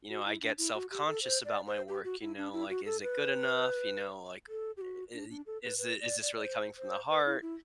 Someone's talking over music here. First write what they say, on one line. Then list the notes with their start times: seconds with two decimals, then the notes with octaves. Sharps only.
you know, I get self-conscious about my work, you know, like, "Is it good enough," you know, like, "I i is this is this really coming from the heart,"
0.09 F#4
0.26 E4
0.42 D4
0.58 E4
0.75 F#4
0.91 G4
1.07 A4
1.23 C5
1.45 D5
1.67 C5
1.88 G4
2.04 F#4
2.21 E4
2.37 D4
2.53 E4
2.70 F#4
2.86 A4
3.02 B4
4.49 A4
4.77 G4
4.81 F#4
5.14 D4
5.30 D4
5.47 A4
5.63 B4
5.78 B4
6.01 D5
6.22 D5
6.35 D5
6.44 C5
6.77 C5
7.10 B4
7.26 E4
7.42 E4